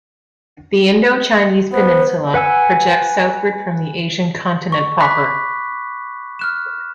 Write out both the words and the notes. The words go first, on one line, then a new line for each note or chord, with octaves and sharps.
The Indochinese Peninsula projects southward from the Asian continent proper.
B3 C5
B4 F#5 G#5 E6
C#6
B5 D6 F#6 B6
F6 F#6 E7